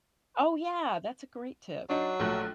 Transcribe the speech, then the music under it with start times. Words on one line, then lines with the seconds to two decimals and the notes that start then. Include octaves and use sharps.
Oh yeah, that's a great tip.
1.90 F#3 D4 D#4
2.20 A#1 A3 F#6